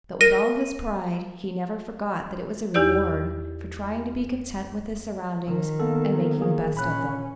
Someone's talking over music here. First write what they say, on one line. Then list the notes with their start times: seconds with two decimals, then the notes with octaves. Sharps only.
But with all his pride he never forgot that it was a reward for trying to be content with his surroundings and making the best of them.
0.21 A#4 A#6 D#7
2.74 E2 D#4 E4 G4 D5 G6
5.47 D#3
5.80 A#3 B3 A4
6.41 A#3 G#4
6.77 A#2 C#4 B5 F#6